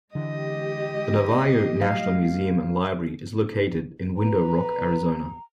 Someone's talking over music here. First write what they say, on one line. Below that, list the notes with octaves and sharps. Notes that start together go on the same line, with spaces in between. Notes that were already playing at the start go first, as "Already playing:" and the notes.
The Navajo Nation Museum and Library is located in Window Rock, Arizona.
D3 E3 G#3 G4 D#5
F#3 G3 A3 F5
B4 A#5